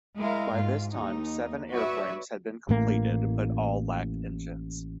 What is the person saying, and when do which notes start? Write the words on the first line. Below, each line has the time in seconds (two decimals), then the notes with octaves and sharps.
By this time seven airframes had been completed, but all lacked engines.
0.16 G#3 E4 A#4 F5
0.53 G#2 F4
0.91 D#2 D#4
1.71 F#4 B4 C#5 D5 E5
2.69 A1 A2 A#3